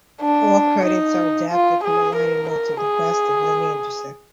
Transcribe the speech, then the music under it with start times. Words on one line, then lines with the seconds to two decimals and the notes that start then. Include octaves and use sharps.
All credits are adapted from the liner notes of "The Best of Lynn Anderson".
0.21 D4
0.86 D#4
1.51 F4
1.84 G#4
2.16 A#4
2.50 A#4
2.82 G#4